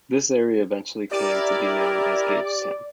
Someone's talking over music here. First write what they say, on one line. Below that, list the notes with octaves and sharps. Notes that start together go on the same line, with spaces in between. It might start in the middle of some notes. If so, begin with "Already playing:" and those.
This area eventually came to be known as Gagetown.
E4 G4 A#4 D5